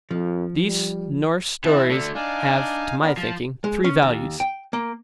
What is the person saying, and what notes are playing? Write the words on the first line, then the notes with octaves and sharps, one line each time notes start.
These Norse stories have, to my thinking, three values.
F2 F3
G3
E3 C4 E4 A5
D3 A3 D4
D4 D#4 F5 G#5
B3 D4 A#4
F3 A5
G#3
C#4
D#2
G5
A#3